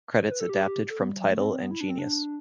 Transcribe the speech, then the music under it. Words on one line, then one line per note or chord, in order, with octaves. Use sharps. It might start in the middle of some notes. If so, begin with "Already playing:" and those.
Credits adapted from Tidal and Genius.
C5
B4
A4
G4
A4
B3
G3
F#3
A3
C4
C4
B3
E4
D4
C4
D4